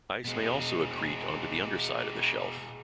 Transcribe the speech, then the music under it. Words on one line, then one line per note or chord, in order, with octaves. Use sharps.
Ice may also accrete onto the underside of the shelf.
B2 G#3